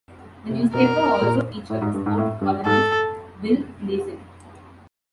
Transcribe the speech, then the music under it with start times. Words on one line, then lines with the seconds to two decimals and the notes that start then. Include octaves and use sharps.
The newspaper also featured sports columnist Bill Gleason.
0.50 C3
0.74 B2 A#4
1.21 A#2
1.70 A2
1.81 G#2
1.94 G2
2.06 G#2
2.18 A2
2.41 G2
2.66 G#2 A4